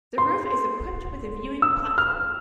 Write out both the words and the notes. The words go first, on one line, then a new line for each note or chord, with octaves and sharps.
The roof is equipped with a viewing platform.
C6
E6
F6